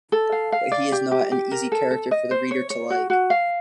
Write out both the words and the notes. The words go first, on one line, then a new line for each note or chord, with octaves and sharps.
But he is not an easy character for the reader to like.
A4
F5
F5
D5
G4
G4
G4
A#4
A4
A4
D#5
C5
C#5
C#5
F#4
F#4
F5